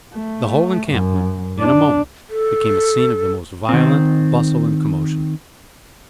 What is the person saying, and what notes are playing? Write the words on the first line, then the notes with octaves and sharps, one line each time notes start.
The whole encampment, in a moment, became a scene of the most violent bustle and commotion.
A3
F#2
D4
A4
D#3 C4